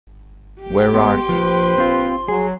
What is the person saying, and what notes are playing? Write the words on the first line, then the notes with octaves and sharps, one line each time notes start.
Where are you?
G4 G5
G#3 B3 C6
A#1 F3 B4 C5
C4 F4
F#3 G#4